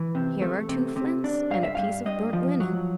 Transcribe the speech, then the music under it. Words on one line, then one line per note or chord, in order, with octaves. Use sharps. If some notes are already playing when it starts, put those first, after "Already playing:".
"Here are two flints and a piece of burnt linen."
Already playing: E3
C3
A3
C3
C3
D4
G2 F5
E5
G2 F5
G2 D#5
F3
F#3